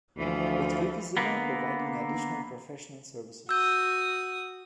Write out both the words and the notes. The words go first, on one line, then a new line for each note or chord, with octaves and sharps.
With Vivisimo providing additional professional services.
D2 E3 F3
D3 A#3 B3
F#4 D#6 E6 G6